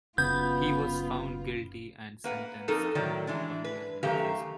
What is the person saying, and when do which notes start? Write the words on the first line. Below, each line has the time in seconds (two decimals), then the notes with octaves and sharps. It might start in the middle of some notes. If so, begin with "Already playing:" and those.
He was found guilty and sentenced to one year in prison.
0.18 F#1 C#3 B3 F4 G6
2.24 A#3 B4 F#5
2.68 F2 D#4 A4 A#4
2.95 A2 D#3 F#3 D5
3.27 E3 G#3 D4
3.64 B4
4.03 F#2 D#3 A3 G4 F5 A#5